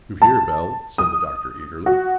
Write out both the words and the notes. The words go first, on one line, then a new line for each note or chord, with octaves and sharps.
"You hear, Bell," said the Doctor, eagerly.
A5
D#6
F#4